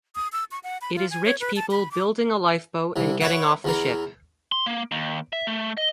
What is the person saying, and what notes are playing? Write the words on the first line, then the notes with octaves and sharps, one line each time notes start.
It is rich people building a lifeboat and getting off the ship.
D#6
E6
C#6
F#5
B5
F4
G#5
C#5
B4
A5
B5
D6
C2 E3
B4 C#5 E5 F#5
E2 E3 A#4
C6
A#3
D#2
E5
A3
D#5